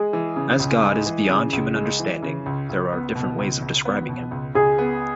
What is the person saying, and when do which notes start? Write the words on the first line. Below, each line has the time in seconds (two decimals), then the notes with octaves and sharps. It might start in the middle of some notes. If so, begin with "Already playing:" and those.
As God is beyond human understanding, there are different ways of describing him.
Already playing: G#3 G#4
0.13 E3
0.36 C#3
0.60 C#2
0.83 G#3
1.06 E3
1.29 C#3
1.53 C#2
1.75 G#3
2.00 E3
2.23 C#3
2.46 C#2
2.69 C#2
2.93 B3
3.15 B2
3.39 C#2
3.62 C#2
3.85 B3
4.09 B2
4.31 C#2
4.55 C#2 G#4
4.78 B3